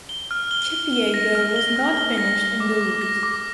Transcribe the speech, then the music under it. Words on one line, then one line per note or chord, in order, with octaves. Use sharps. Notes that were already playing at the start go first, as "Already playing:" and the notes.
Kipyego was not finished in Duluth.
G7
F6
G7
G7
G7
A#6
F6
G7
F6
G7
A#6
G7
D6
D6
A#6
D6